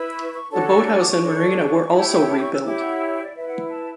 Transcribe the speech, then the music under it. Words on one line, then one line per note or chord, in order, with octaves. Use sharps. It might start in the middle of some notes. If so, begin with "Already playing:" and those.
The boat house and marina were also rebuilt.
Already playing: E4 B4
C#6
C#6
D4 F#4 A4 C#5 A5
C#6
E6
D6
C#6
D4 A4 C#5
E4 G4 C#5 A5
G5
A5
D6
C#6
E6
E4 G4 C#5 D6
F#5
D5
E4 B4 E5
F#5
A5